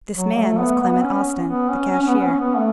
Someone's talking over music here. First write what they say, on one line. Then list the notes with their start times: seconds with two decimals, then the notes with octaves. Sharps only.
This man was Clement Austin, the cashier.
0.15 F#3
0.37 A3
0.59 B3
0.81 B3
1.03 C#4
1.47 B3
1.69 C#4
1.91 C#4
2.02 C#4
2.07 B3
2.18 B3
2.24 C#4
2.40 B3
2.57 A3